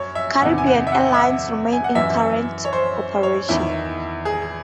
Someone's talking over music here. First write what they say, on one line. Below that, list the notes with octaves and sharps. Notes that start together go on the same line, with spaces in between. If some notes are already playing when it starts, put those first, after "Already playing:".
Caribbean Airlines remains in current operation.
Already playing: F#2 C#5
E5
E2 C3 D#3 F#5
G#5
F#5
E5
F#5
E5
F#5
G#5
F#5
F#2 E3 E5
C#5
C5
C#5
E2 D#3 E4
G#4